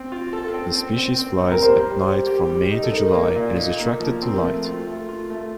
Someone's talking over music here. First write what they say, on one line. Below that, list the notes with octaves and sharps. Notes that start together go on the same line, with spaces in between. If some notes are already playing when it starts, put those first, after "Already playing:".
The species flies at night from May to July and is attracted to light.
Already playing: C4
F4
A4
C4
C4
C4
C4
C4
A#4
G3 C5
G3
G3
G4
G3
D#4
A4
D#4 A#4
A#3
A#2
D#4
A#3
F3
C4 A#4
A3
F4
A3
F4
A3